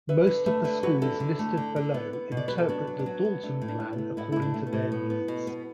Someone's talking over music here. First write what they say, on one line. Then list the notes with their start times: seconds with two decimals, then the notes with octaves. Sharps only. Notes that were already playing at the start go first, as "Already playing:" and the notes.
Most of the schools listed below interpret the Dalton Plan according to their needs.
0.09 B3 B4 E5
0.27 D3
0.46 A3 B4 E5
0.64 D3 B4 E5
0.83 F#3 F#4 B4
1.02 D3 E4 A4
1.20 D3
1.39 A3
1.57 D3
1.76 D3
1.94 B3
2.13 B3
2.32 B2
2.37 D5
2.48 F#3 B4
2.58 A4
2.69 B3 D4 F#4
2.87 F#3
2.99 D4
3.06 F#3 B3
3.25 B3
3.43 A3 D4
3.62 A2
3.68 D4
3.80 A3
3.93 B3
3.98 A3
4.17 A2 B3 E4
4.32 A2 E4
4.42 D4
4.54 A3
4.67 B3
4.73 A2
4.92 B3
5.10 B3
5.28 B2
5.47 B3